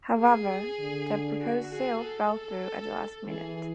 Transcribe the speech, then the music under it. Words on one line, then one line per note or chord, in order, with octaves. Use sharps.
However, the proposed deal fell through at the last minute.
G#4
D3
F#4
G#4
A4
E3 G#4